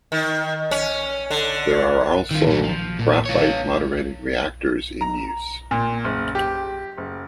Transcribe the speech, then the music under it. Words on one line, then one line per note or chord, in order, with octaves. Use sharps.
There are also Graphite moderated reactors in use.
D#3
C#4
D3
D#3 F4
A#2 F#3
F3
A#2
F4 C#5
A#5
A#2
F#1
G4
F#1